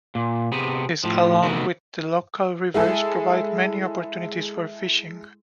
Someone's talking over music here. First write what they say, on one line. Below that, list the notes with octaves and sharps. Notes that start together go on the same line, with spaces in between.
This along with the local rivers provide many opportunities for fishing.
A#2
C3 B3 G#4
A2 F3
C3 D#3 A3 B3 E4 F#4
G#3 E4 G#4 A4